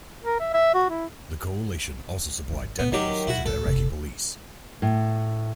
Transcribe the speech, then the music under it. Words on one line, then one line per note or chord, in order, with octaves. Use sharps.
The Coalition also supplied technicals to the Iraqi police.
A#4
E5
E5
F#4
E4
G#1
A#2 B3
D#3 F#3 D4 G4
B2 E4 F#4
A1 C#3 A4
F#1 C3
A2